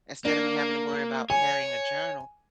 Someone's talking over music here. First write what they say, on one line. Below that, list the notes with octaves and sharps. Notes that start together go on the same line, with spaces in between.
instead of me having to worry about carrying a journal,
A#3 D4
C#5 G#5